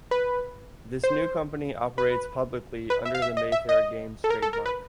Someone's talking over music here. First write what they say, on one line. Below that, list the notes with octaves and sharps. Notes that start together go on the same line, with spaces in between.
This new company operates publicly under the Mayfair Games trademark.
B4
C5
B4
B4
E5
F5
E5
D#5
E5
D#5
A4
A#4
A4
A#4
B4